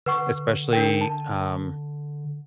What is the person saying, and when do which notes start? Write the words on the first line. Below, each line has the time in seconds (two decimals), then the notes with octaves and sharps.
especially, um,
0.06 D3 B4 F#5 C#6
0.73 D4 A#4 G5
1.01 A5